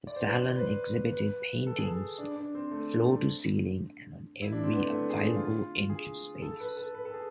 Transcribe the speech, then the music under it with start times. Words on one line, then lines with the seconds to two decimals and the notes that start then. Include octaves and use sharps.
The Salon exhibited paintings floor-to-ceiling and on every available inch of space.
0.07 D5
0.16 C5
0.24 B4
0.31 C5
0.56 B4
0.60 C5
1.13 B4
1.67 A4
1.78 G#4
1.88 A4
2.18 D4
2.36 D4
2.55 C4
2.71 A3
4.42 E4
4.52 D4
4.64 C4
4.73 B3
4.83 A3
5.10 G#4
5.36 F4
5.90 G#4
6.42 A4
6.60 B4
6.77 A4
6.95 B4
7.05 A4
7.14 G#4